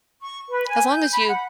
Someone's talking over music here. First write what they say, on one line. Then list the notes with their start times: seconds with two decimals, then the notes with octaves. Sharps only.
as long as you
0.22 C#6
0.49 B4
0.68 G#5
0.87 G6
1.13 B5
1.29 F#5